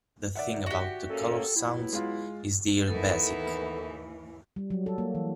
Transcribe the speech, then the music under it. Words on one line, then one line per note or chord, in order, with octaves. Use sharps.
The thing about the Coloursounds is they're basic.
D#3 D5 E5 F#5
F#4 G4
A#3 C#4 A4
F#3 B3 E4
G#3 F4
D#2 E3 B3 D#4 E4 A4 A#4
G3
F#3
A4
A#3
E3